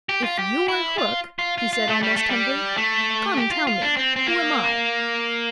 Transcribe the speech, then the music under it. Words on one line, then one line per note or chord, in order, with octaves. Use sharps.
"If you are Hook," he said almost humbly, "come tell me, who am I?"
G4
F4
G4
E4
F4
F4
F4
F4
A3
G3
A3
G3
A3
G4
F4
F4
D4
C4
C4
A#3